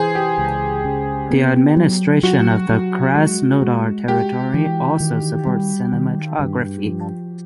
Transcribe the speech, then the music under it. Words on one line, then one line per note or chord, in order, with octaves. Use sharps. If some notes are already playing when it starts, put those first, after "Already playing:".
The administration of the Krasnodar Territory also supports cinematography.
Already playing: E3 G#4 C5
G4
C#2
C#3
B3
F#3
F#3 F#4
F#3
G#3
G#3
G#3 G4
E3
D#3
G3
D#3
G2
F3